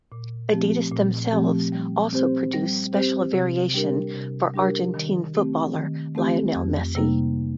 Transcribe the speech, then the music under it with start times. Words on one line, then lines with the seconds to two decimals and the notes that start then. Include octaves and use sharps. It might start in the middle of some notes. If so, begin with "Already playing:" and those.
Adidas themselves also produce special variation for Argentine Footballer Lionel Messi.
0.12 A#2
0.52 F3 A3 C4 G4
0.92 A#2
1.32 F3 A3 C4 G4
1.72 G3
2.13 C4 G4 C5
2.53 G3
2.93 C4 G4 C5
3.33 C3
3.74 G3 D4 G4 A#4
4.14 C3
4.54 G3 D4 G4 A#4
4.94 D#3
5.34 A3 C4 G4
5.75 D#3
6.15 A3 C4 G4
6.55 F2
6.95 C3 G3 A#3 D#4